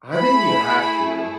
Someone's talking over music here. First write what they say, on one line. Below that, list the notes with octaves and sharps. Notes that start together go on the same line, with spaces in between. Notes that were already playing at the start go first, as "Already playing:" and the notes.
I think you have to,
A3 E4 G#4 B5